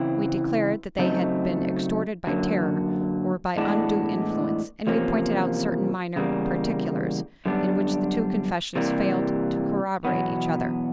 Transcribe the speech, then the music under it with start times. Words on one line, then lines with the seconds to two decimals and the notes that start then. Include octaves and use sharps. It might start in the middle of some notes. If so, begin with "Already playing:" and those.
We declared that they had been extorted by terror, or by undue influence; and we pointed out certain minor particulars in which the two confessions failed to corroborate each other.
Already playing: C#3 E3 C4 E4
0.98 C#3 F#3 A3 C4 D#4
2.27 F#2 D3 F#3 A#3
3.57 A2 E3 G#3 B3 D4
4.87 E2 C3 F3 A#3 C#4
6.16 E2 C#3 G3 A#3
7.45 F#2 D3 G3 B3 D4
8.76 C3 E3 G3 A#3
10.05 E2 B2 F#3 B3